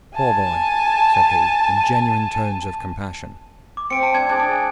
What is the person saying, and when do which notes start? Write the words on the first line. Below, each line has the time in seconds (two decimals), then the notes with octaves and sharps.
"Poor boy!" said he, in genuine tones of compassion.
0.14 G#5 A5
3.77 D6
3.90 C4 C#7 D7
4.03 A5
4.15 D4 G#6
4.29 D4 G#4
4.52 G#5